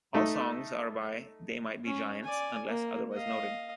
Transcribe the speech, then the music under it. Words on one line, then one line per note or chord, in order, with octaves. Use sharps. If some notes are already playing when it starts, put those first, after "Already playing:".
All songs are by They Might Be Giants unless otherwise noted.
A3 D#4
C#4
D5 G#5
A#3
D#5 F5